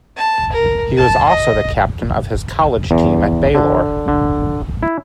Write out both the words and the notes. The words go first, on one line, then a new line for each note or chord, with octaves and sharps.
He was also the captain of his college team at Baylor.
A5
A#4
A5
D#5
E2
D3
D3
E4